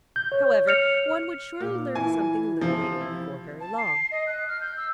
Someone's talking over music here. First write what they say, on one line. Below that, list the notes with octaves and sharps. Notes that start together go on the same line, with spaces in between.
However, one would surely learn something illuminating before very long.
G6
C#5
F6 C#7 F7
A#2
E3 G#5
C3 F3
E4
A5
C7
D#5
F#6
F6
G6
E6